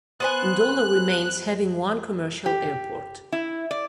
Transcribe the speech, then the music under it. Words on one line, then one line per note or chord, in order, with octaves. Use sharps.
Ndola remains having one commercial airport.
B3 C5 G#5 F#6
G4
E4
D5